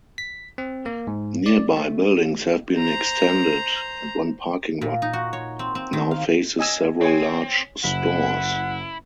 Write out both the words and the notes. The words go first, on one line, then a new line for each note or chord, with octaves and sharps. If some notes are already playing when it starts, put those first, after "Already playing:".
Nearby buildings have been extended, and one parking lot now faces several large stores.
B6
C4
A#3
G#2
D5
A3
C5 A#5
A#2
D#4
F#4
C#5
C4
C4
D#3
F5
D#5 G#5 E6
C4 C#5 G#5
F#1 E4 F#5